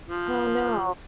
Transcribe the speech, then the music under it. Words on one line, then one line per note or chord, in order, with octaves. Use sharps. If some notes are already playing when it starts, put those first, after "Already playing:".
Oh, no.
F3